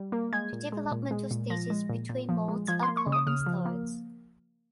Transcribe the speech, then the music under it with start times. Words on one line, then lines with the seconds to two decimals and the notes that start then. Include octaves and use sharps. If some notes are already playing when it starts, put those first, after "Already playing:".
The developmental stages between molts are called instars.
Already playing: G3
0.12 A#3
0.33 G#3 G#6
0.53 A#2
0.72 G#3
0.92 A#2
1.11 G#3
1.31 A#2
1.50 F3 A#6
1.70 G#3
1.90 A#2
2.09 A#2
2.29 F3
2.48 G#3
2.67 F3 G#6
2.83 C6
2.88 A#3
2.97 C#6
3.07 C#3
3.12 D#6
3.27 C#3 F6
3.46 F3
3.65 A#3